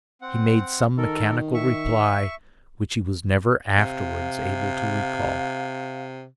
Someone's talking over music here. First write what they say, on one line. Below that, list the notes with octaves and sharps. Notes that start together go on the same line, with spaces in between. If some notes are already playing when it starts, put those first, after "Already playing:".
He made some mechanical reply which he was never afterwards able to recall.
C4 F#5
D#3 A4 A#4
E5 C#6
C3 F5